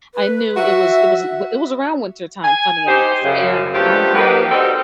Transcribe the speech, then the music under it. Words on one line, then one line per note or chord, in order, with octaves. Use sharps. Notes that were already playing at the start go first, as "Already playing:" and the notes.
I knew it was it was th it was around wintertime, funny enough, and I had
B4
F#4 E5
G#5
D#4 G4 C5
F#2 C#3
F3 A3 B3 D4 G4
A#3 B3 D#4 G4 B4
G3 C4 D#4 F#4 G4 A4